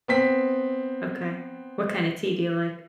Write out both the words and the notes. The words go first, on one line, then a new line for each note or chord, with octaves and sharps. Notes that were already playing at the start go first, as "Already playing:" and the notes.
Okay. What kinda tea do you like?
B3 C4 B6